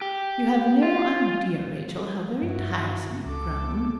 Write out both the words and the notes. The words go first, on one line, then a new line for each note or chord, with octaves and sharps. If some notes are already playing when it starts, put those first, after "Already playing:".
'You have no idea, Rachel, how very tiresome you've grown.'
G4
F4
G2 E4 F#4
C#2 A4 D6